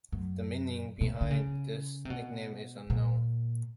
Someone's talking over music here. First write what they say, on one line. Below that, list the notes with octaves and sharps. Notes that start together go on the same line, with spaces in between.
The meaning behind this nickname is unknown.
F#2
B2
D3
C#3
C3
B2
A#2